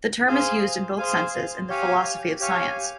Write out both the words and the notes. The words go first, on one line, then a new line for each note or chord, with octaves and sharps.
The term is used in both senses in the philosophy of science.
G#4 C5 F5 G#5
G#4 C5 F5 G#5
G4 C#5 F5 G#5
G4 C#5 F5 G#5